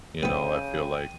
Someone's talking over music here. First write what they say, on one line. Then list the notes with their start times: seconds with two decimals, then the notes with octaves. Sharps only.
you know, I feel like,
0.23 C2 C#3 B3 G5 D#7